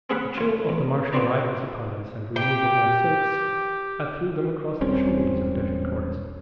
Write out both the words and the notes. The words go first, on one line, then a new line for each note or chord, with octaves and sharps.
The chill of the Martian night was upon us, and removing my silks I threw them across the shoulders of Dejah Thoris.
C4 C#4 G#4 C#5 F#5 B5
F4 C#5
E2
B3 C4 F#4 C5 D5 A#5
G4 G5
E1 G3 C4 C#4